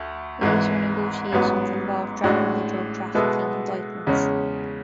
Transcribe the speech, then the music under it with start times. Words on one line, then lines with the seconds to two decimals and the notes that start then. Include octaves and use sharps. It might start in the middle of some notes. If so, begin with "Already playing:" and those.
Later negotiations involved dropping the drug-trafficking indictments.
Already playing: D2 A3
0.41 G#1 G#2 E3
1.32 A1 G#2 F#3 B3
2.24 A1 A2 G#3 D4 F#4
3.15 B2 G#3 B3 E4 A4
4.07 E2 C#3 G#3 C#4